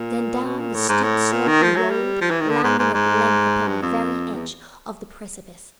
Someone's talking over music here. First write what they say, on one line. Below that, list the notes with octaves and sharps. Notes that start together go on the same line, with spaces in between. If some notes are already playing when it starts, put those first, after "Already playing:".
Then down the steep slope we rolled, landing at length upon the very edge of the precipice.
Already playing: A#2
B2
A#2
A2
G#2
A2
A#2
D#3
F3
F#3
G3
F3
E3
D#3
D3
G#2
G#2
G#2
G2
F2
E2